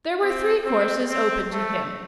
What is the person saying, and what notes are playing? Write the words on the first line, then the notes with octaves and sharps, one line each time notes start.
There were three courses open to him.
C4
C4
C4
A3